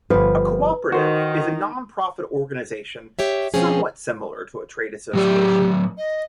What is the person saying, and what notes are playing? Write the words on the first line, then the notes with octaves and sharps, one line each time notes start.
A cooperative is a non-profit organization somewhat similar to a trade association.
G1 F3 B4
D#3 F#4 C5
G4 C#5 E5
B2 F3 G#3 C4 C#4 G#4
A2 F#3 G4 D5
D#5